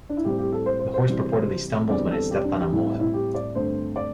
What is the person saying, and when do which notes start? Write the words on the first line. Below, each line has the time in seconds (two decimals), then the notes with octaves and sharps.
The horse purportedly stumbled when it stepped on a mole hill.
0.10 D4
0.17 E4
0.25 A2 G3 C4 G4
0.38 G4
0.52 A4
0.66 C5
0.79 C5
0.94 C5
1.08 C3 E3 G3
1.89 E2 D3 G3 C4 D5
2.11 A4
2.31 G4
2.44 D4
2.59 G4
2.72 A2 G3 C4 E4
2.86 E4
3.00 E4
3.13 G4
3.34 D5
3.55 G2 D3 A3 C4 C5
3.96 D5